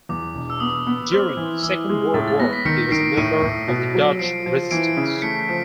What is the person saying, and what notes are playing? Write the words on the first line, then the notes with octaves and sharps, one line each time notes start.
During the Second World War he was a member of the Dutch Resistance.
E2 D6
E1
E6
B3 D#6
B3
C4 F6
E3
E3 E6
G#3
A2 A6
A6
B3 A#6
B6
D#3 B6 C#7
D#3 C7 D7
A2 C#7 D#7
A2
B2
F#3
F3 C7 D7
F3
E3 C7 D7
C#3
A3 B6 C#7
B6
F3